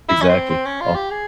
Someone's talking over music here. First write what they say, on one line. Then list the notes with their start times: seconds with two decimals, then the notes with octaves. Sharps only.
Exactly, o
0.09 E4
0.21 C#4
0.29 C4
0.50 C4
0.65 C#4
0.80 F4
0.95 G4
1.11 G#4